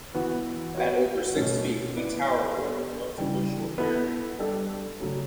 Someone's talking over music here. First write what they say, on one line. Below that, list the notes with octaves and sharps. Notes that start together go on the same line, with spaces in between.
At over six feet, he towered over the relatively short Barry.
E3 B3 F#4
B3 F#4 C#5
B2 A3 C#4
B3 E4 B4 D5
B3 D4 A4 C#5
C#3 E3 G3 D4
B3 E4 A4
G3 D4 A4 D5
C#3 F#3 A3 C#4